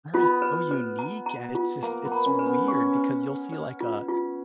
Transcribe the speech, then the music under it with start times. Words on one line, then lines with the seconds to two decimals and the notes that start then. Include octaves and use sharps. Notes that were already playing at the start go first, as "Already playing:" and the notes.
they're all so unique, and it's just it's weird because you'll see, like, a
0.14 B3 F4
0.42 B4
0.71 B4
0.99 A#5
1.26 A#5
1.55 F4
1.83 A#3 A#5
2.05 B3
2.12 A#5
2.26 C#4
2.39 B4
2.46 B3
2.67 C#4 C#6
2.97 B4
3.24 B4
3.53 B4
3.80 F4
4.08 F4